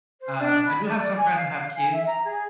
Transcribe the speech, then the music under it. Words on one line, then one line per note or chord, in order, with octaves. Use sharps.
um, I do have some friends that have kids,
C5
D4
B5
D5
D5
G#5
F5
G#5
E5
A#5
G#4